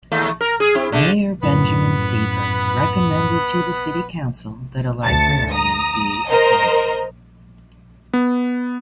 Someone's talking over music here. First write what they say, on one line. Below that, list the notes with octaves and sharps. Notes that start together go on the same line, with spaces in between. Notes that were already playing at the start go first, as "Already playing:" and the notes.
Mayor Benjamin Seaver recommended to the city council that a librarian be appointed.
D#2 A3
A#4
G#4
C4 E4
D3 A3
F#2 A2 B3 B4
D2 A5 A6 C#7
A#5 D#6
A#4 C5 D#5 A#5
B3